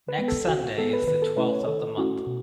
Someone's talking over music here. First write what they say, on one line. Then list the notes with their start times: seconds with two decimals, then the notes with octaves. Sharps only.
Next Sunday is the twelfth of the month.
0.08 B4
0.18 G#3 B3
0.28 A4
0.47 C#3 F#4
0.63 F#4
0.78 G#3 B3 A4
0.93 B4
1.07 D#3 B4
1.22 A4
1.37 A3 C#4 E4 B4
1.52 C#5
1.67 D#3 A4
1.98 A3 C#4 E4 F#4
2.27 B2